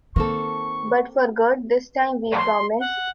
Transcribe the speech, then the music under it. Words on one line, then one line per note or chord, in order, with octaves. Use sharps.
But for good this time- we promise.
D#3 A#3 C4 A4 C#6
C6
F#5